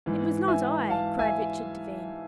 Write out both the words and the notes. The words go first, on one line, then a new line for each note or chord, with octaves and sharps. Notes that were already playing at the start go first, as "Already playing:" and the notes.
"It was not I!" cried Richard Devine.
G#2 E3
E5 G#5
F5 A5
E5 G#5